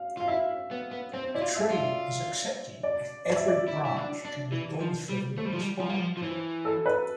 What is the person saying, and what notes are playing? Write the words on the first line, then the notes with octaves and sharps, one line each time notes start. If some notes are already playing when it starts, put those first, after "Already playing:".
A tree is accepted if every branch can be gone through this way.
Already playing: F5
F4 F5
E4 E5
B3
B3
C4 C5
E4 D5
F4
E5
F4
E5
D5
D5
E5
D5
E4
E4
D4
D4
E3
F3
G3
A3 C5
G3
F3
G3
F3
G3
F3
F3
E3 C5
A4
B4